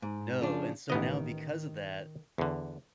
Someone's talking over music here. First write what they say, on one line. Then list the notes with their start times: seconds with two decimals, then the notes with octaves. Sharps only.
No, and so now because of that,
0.02 G#2
0.41 C#3 F3 D4
0.90 A1 D#3 B3 D#5
2.38 E2 D3